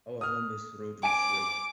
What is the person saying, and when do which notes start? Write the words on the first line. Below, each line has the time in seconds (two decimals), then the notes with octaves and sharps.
Our home is rodent free.
0.21 D#6 F6
1.03 G#5 D6 D7